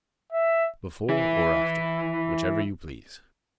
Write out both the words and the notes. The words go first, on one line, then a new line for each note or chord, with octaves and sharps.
"Before or after, whichever you please."
E5
E3 E4